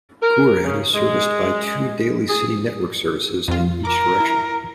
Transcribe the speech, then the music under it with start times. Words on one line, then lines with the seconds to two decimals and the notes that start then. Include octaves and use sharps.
Cooran is serviced by two daily City network services in each direction.
0.23 A#4
0.64 C#3
0.94 G#3
2.29 G#4
3.48 F2 F4
3.85 A#4 D6
4.20 E4